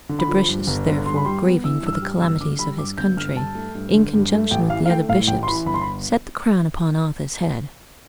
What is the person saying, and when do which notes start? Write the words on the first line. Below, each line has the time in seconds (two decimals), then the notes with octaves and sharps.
Dubricius, therefore, grieving for the calamities of his country, in conjunction with the other bishops set the crown upon Arthur's head.
0.09 D3
0.19 B5
0.28 F3
0.49 G2
0.67 G1
0.86 D3
1.06 G2 C6
1.16 B5
1.25 G3 C6
1.44 B3
1.63 E3 E6
1.82 G2 E6
1.93 F6
2.02 G3
2.21 G1 E6
2.40 D3 D6
2.59 G3 B5
2.78 G2 D6
2.98 G1 G6
3.17 D3 F6
3.36 G2 A5
3.55 A3
3.75 G2
3.94 D3
4.13 G2
4.32 A3
4.51 A1 G5
4.70 E3 F5
4.86 F5
4.89 A3 G5
5.09 A2 F5
5.28 A1 G5
5.43 C6
5.47 E3 B5
5.66 G1 B5
5.74 C6
5.81 B5